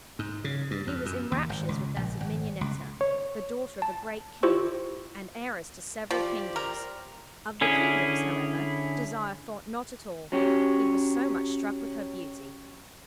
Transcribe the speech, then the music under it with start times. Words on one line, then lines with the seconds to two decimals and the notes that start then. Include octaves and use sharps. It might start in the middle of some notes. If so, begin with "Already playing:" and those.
He was in raptures with that of Mignonetta, the daughter of a great king, and heiress to several kingdoms; of the kingdoms, however, Desire thought not at all, he was so much struck with her beauty.
0.19 G#2
0.44 C#3
0.71 G2
0.87 F2
1.06 F#2
1.32 D#2
1.49 G#1
1.69 C#2
1.96 A#1
2.20 G#1
2.61 C#2
3.01 C#5
3.82 A5
4.43 E4 F4 G4 C5 C#6 E6
6.11 F3 G4 C5 D5
6.56 A#4
7.61 D3 C#4 E4 G#4
10.32 F#3 C#4 G4